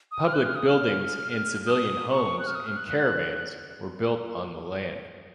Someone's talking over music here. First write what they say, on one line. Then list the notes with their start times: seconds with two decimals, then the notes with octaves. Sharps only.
Public buildings and civilian homes and caravans were built on the land.
0.12 D#6
0.27 F6
0.33 F#6
0.45 F6
0.56 D#6
0.67 F6
1.66 D#6
2.11 C#6
2.39 F#6
2.47 F6
2.55 D#6
2.66 F6
2.77 F#6
2.89 F#6
3.00 F#6
3.38 F#6